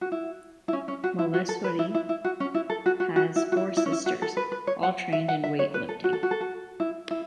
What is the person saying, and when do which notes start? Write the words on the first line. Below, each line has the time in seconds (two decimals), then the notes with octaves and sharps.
Malleswari has four sisters, all trained in weightlifting.
0.01 F#4
0.12 E4
0.68 E4
0.73 C#4
0.88 C#4
1.04 F#4
1.19 E4
1.34 F#4
1.49 A4
1.64 B4
1.79 E4
1.95 E4
2.09 E4
2.24 F#4
2.40 C#4
2.55 E4
2.70 A4
2.86 F#4
3.00 F#4
3.16 F#4
3.36 E4
3.52 F#4
3.57 E4
3.77 E4
3.86 C#4
3.92 E4
4.06 F#4
4.22 A4
4.37 B4
4.52 B4
4.67 C#5
4.83 F#5
5.12 E5
5.28 F#5
5.44 E5
5.59 C#5
5.74 B4
5.89 A4
6.04 F#4
6.13 A4
6.23 F#4
6.31 A4
6.41 F#4
6.80 E4
7.11 E4